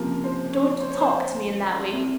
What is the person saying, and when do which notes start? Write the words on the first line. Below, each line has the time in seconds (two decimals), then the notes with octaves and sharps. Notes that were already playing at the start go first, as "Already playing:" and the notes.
Don't talk to me in that way.
Already playing: C#2 C3 F3 A#3 A#4
0.24 C5
0.53 C#5
0.80 C5
0.91 C#5
1.01 C5
1.92 C2 C3 G3